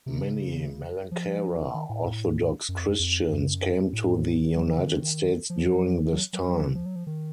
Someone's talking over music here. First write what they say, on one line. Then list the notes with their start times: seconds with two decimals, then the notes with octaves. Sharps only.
Many Malankara Orthodox Christians came to the United States during this time.
0.06 C3
0.17 C#3
1.11 F3
1.74 D#3
1.89 A2
2.01 A#2
2.06 A2
2.69 F#2
2.78 F2
2.88 F#2
2.99 F2
3.30 F#2
3.93 A2
4.56 F#3
4.66 F3
4.77 C#3
4.87 D#3
5.50 F3
6.12 F#3
6.33 F#3
6.75 F3
6.86 F#3
6.96 F3
7.07 D#3